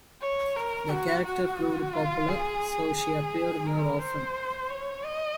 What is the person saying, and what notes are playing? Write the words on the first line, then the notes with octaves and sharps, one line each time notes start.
The character proved popular, so she appeared more often.
C#5
A#4
F#4
F#4
F4
G#4
G#4
A#4
C5
C#5
D#5